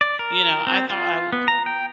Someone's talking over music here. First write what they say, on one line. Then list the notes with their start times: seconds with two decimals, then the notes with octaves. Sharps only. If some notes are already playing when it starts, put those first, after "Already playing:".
You know, I thought I wa
0.01 D5
0.19 A#4
0.67 C4
0.90 F4
1.32 B3
1.48 A#5
1.66 G5